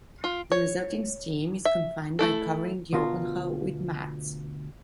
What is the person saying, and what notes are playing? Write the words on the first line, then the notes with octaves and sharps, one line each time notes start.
The resulting steam is confined by covering the open hull with mats.
F4
C#5
E5
A3 E4 A4
D2 B2 F4 A#4 C6